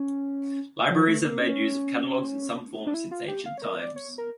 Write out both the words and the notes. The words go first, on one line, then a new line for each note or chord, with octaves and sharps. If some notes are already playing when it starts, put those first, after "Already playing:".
Libraries have made use of catalogs in some form since ancient times.
Already playing: C#4
F3
A3
A#3
C#4
D4
E4
F4
G4
F5
C#5
A#4
D5
C#5
A#4